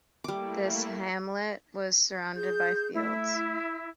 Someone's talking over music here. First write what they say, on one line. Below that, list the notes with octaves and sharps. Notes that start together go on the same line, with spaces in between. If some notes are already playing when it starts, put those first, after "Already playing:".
This hamlet was surrounded by fields.
G3 A3 A#3 E4 D6
G#4 G6
A3 E4